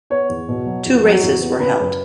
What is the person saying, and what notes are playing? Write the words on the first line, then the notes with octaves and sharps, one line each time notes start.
Two races were held.
B3 C#5
E2
B2
F#3
E2
F#3
E2
B3
C#3 B4
F#2